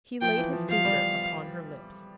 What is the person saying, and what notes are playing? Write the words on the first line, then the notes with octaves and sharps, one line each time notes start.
He laid his finger upon her lips.
F3 G5
E3
F3
F3 F5
G3